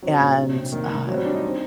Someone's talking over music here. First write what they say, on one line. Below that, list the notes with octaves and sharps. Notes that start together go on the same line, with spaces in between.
and, uh
F#3 C4
A#2
D4
C3
D#3 A#3
A2
F#3 C4
G3
D3 D4
D#4
C4